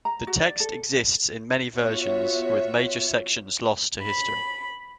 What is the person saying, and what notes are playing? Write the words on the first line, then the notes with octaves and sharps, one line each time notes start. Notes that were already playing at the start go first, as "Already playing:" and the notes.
The text exists in many versions, with major sections lost to history.
A#5
F#4
D5
A4
B3 F4 F#4 C#5 E5
B5